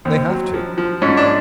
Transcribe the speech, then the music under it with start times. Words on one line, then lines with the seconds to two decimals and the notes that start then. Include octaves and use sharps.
They have to.
0.05 D#2 C4
0.29 F#3
0.54 F3
0.78 F3
1.02 G#2 C#4
1.17 D4